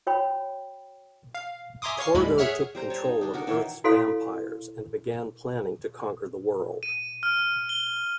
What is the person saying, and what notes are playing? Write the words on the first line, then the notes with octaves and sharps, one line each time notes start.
Torgo took control of Earth's vampires, and began planning to conquer the world.
F#4 C#5 G5 B5
F5
E5 G#5 A#5 C6 D6 D#6
C#5 F5 C#6 C7
D#2 A2 G3 G#3 B5
G#4 C#5 E5 F#5 F6
G3 C5 A#5
C#5 A5
D#4
D4 D#4
D#4 F#4 A#4
D#3 E3 C#5
E4 F#4 A4 C#5 F5 C6
D#7
F6
G7